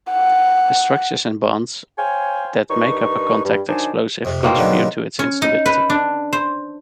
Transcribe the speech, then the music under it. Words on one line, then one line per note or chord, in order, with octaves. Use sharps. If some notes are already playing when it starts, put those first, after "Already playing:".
The structures and bonds that make up a contact explosive contribute to its instability.
F#5
C5 C#5 F5 G5 G#5
G2 D#4 A#4 B4 C#6
G2
D#3 F#3 D4 D#4 C5 G#5
F2 C3
B2 A#3 C4
G#2 D3 F#3
C#4
D#4
B4
D4
C5